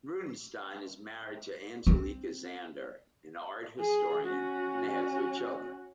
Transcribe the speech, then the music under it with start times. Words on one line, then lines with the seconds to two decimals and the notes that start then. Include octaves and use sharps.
Rudenstine is married to Angelica Zander, an art historian, and they have three children.
1.87 C4
3.79 G#4
4.25 C#4 F#4